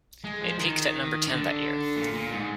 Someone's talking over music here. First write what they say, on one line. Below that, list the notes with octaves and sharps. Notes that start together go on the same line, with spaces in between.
It peaked at number ten that year.
G#3
F3
D#3
D3
A#2
A#2
G#2